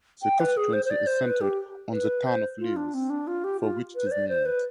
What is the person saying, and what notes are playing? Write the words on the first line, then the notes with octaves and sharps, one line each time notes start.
The constituency is centred on the town of Lewes, for which it is named.
G5
B4
G#4
C5
C5
D5
C5
B4
G4
B4
C5
F4
D4
C4
D4
F4
G4
F4
B4
C5
D5
C5
B4